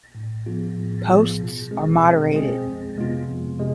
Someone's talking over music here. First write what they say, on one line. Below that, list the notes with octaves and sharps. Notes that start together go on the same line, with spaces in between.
Posts are moderated.
A2
F3 B3 F4 G#4
A2
F3 B3 F4 G#4
B2
G#3 C4 G#4
B2
G#3 C4 G#4
F2
C3 G#3 B3 F4
F2
C3 G#3